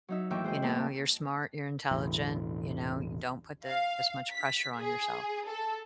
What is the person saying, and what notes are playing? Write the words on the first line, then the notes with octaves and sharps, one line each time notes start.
you know, you're smart, you're intelligent, you know, don't put this much pressure on yourself."
F#3 D#4 E5
D#2 A2 D#3 E3 E5 G5
G#3 C5 E5 G5
D#2 A2 A#3 A5
E1 A1
F5
B6
G#4
A4